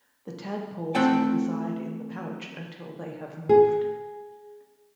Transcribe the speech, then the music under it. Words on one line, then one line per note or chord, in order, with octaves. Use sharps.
The tadpoles will reside in the pouch until they have morphed.
A3 C4 F#5 G5 A5
G#4